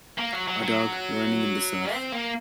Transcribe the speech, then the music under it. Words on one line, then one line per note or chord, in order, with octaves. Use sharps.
A dog running in the surf.
A#3
F#3
F#3
F#3
C4
A#3